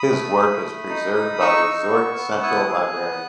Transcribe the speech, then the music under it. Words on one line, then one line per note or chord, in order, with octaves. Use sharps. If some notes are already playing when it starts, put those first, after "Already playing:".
His work is preserved by the Zurich Central Library.
Already playing: B5 D#6
A3
A3
A3
D#4
D#4
D#4 C#6 E6
D#4
B3
B3
E4 D#6 F#6
G#4
B3